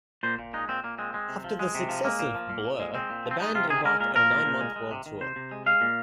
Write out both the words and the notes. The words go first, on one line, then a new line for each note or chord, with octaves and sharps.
After the success of "Blur", the band embarked on a nine-month world tour.
A#2 C5
A#2
G#3 D#4
A#2 C4
A#2 A#3
G#3 C4
G#3
C3
F3
G#3
C3
F3
G#3 A#3
A#2
F3
A#2
A#2
G#3
G#3 C4
A#2
F3
C4
G#3 D#4
C3 F4
D#3 G#4
G#3 A#4
A#2 A#4
F3 A#4
A#2
A#2
G#3
G#3
C3
D#3
C3 C5
C3
G#3
G#3 F5
A#2